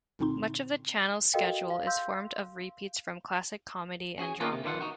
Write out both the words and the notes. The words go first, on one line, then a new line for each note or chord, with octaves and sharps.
Much of the channels schedule is formed of repeats from classic comedy and drama.
C2 A#2 D3 C4 D#4 C6
F#4 A4 A#4 D#5 F5 G5
F5
F5 C6 E6 G6
C#4 F#4 G#4 G#5
A#3 B3 C#4 D4 E4 F4
C3
D#3 E3 E4 F4 F#5
D#4 F#4